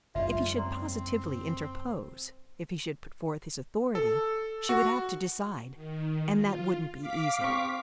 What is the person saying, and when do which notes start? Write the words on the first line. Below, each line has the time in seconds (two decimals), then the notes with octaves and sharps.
If he should positively interpose, if he should put forth his authority, she would have to decide, and that wouldn't be easy.
0.15 F#1 G#2 F4 D5 E5
0.57 C4 D5 A#5 C6
3.95 A4
4.69 F#4
5.75 D#3
6.33 F4
7.01 F5 D6 B6
7.41 C4 C#6